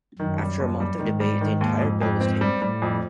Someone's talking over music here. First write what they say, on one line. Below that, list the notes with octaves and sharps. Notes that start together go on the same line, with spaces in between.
After a month of debate, the entire bill was tabled.
F#2 D#3
G3
D#2
G3
G#2 D#3
G3
D#3
D#2
F2
F2
C4
G3
A2 G3
F2